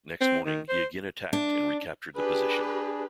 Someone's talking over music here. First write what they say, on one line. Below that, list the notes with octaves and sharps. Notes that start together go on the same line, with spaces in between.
Next morning he again attacked and recaptured the position.
C4
D#3
C5
D4
D4 G4 G#4 B4